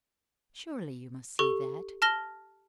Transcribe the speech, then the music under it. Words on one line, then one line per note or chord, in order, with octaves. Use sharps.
Surely you must see that.
G4 A4 C#6
A5 F6 A#6 G7